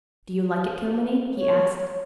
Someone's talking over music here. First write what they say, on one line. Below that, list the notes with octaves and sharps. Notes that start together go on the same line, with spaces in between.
"Do you like it, Kilmeny?" he asked.
C#5